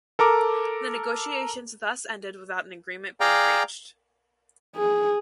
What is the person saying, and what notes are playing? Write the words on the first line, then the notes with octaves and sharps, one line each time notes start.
The negotiations thus ended without an agreement being reached.
A4 A#4 A#5 D6
G#4 D5 F5 G5 A#5
G#4